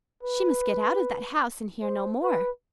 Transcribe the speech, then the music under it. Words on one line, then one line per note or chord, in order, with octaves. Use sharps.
She must get out of that house and hear no more.
B4
C5
B4